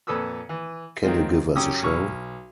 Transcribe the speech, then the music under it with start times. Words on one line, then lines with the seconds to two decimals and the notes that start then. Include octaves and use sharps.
Can you give us a show?
0.07 F2 A#2 A4 B4 D#6 E6
0.49 E3
1.03 D#3 F#3 G#3 C4 F4
1.55 F#2 C#4 G4 G5 D#6 E6
1.83 B1 C#6 E6 F6